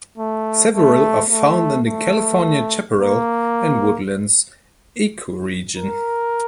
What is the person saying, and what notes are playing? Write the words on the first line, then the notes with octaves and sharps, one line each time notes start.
Several are found in the California chaparral and woodlands ecoregion.
A3
A3
A3
A3
A#3
A#4